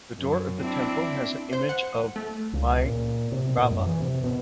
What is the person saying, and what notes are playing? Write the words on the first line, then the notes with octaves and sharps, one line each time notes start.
The door of the temple has an image of Bhairava.
F#2
C4 D4 E4
C5
F#5
A3
C#2
A#2
C3
A#2
F#2
E3
C3
B2